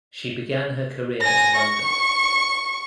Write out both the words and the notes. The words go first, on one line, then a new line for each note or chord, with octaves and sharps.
She began her career in London.
G#5 A#6
C#6